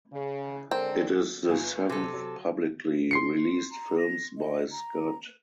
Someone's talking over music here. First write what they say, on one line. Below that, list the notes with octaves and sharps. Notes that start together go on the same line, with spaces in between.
It is the seventh publicly released films by Scud.
C#3
D3 G#3 C4 A#4
G1 F4 G#5
C3 A4
F#3
C6 C7 C#7
A#5
A#6
D#5
A#5